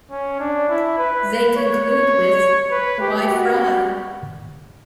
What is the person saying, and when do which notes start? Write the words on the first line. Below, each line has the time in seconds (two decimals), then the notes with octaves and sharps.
They conclude with, Why fry?
0.11 C#4
0.40 D4
0.69 E4
0.98 B4
1.56 C#5
1.85 C#5
2.71 B4
3.01 G4
3.29 F#4